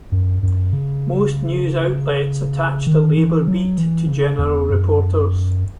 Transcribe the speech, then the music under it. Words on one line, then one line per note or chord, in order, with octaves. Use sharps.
Most news outlets attach the labor beat to general reporters.
F#2
F#2
C#3
D#3
E3
F#3
E3
C#3
E2
F#2